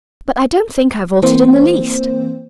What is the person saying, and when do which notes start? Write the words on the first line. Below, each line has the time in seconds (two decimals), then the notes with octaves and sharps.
But I don't think I've altered in the least.'
1.23 E3 A#3 C4 C5